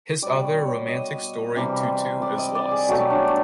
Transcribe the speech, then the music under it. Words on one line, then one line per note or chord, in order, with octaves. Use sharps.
His other romantic story "Tutu" is lost.
B2 G3 D5
C#5
C#5
D#5
C3 E3 G3
D5
D#5
D5
G#4
B2 F#3 A3 G4
D4